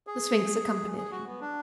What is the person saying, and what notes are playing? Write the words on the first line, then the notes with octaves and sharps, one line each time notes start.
The Sphinx accompanied him.
G#4
G#4
F#4
B3
D4